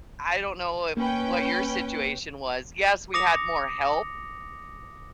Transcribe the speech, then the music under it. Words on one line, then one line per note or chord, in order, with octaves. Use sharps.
I don't know, wh what your situation was, yes, we had more help
A#3 C#4 B4 G5
D6 D#6 A#6 C#7 F7